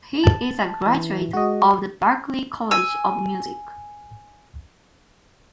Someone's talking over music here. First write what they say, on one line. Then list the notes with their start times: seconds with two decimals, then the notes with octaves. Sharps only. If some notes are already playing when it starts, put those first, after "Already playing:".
He is a graduate of the Berklee College of Music.
0.24 A5
0.86 E3
1.33 G#3 F#4 D#5
2.71 G#5 E6